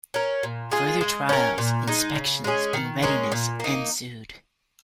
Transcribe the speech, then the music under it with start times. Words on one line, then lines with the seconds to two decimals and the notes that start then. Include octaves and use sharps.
Further trials, inspections, and readiness ensued.
0.14 C#4 A#4
0.43 A#2
0.71 G#3 F4 G#4
1.01 G#3
1.29 C#4 A#4
1.58 A#2
1.87 G#3 D#4
2.15 C#3
2.44 G#3 C#4 G#4
2.73 D#3
3.03 G#3 C#4 A#4
3.32 A#2
3.60 A#3 D#4